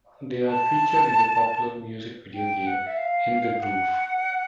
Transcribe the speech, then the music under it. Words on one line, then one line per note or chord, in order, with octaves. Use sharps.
They are featured in the popular music video game "In the Groove".
A5
G5
F#5
E5
F5
F#5